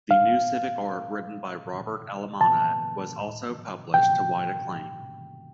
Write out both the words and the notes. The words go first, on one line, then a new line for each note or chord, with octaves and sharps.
The New Civic Art, written with Robert Alminana, was also published to wide acclaim.
F5
A5
G5